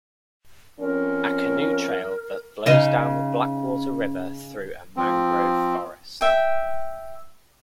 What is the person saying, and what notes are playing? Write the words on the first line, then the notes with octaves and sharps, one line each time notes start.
A canoe trail that flows down the Blackwater River through a mangrove forest.
F2 C#4 A#4
C#3 D#4
F3 C4
E5 G5